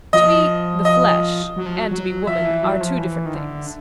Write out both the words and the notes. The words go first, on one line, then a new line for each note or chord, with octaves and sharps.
To be "the flesh" and to be woman are two different things.
F3 D#5
D#5
F#3
F3
F#3
F#3
F3 E5
E3
F#3
F3
E3
D#3
D3